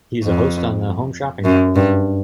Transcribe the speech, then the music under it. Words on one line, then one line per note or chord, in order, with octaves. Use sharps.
He is a host on the Home Shopping Network.
F2
F#2
G2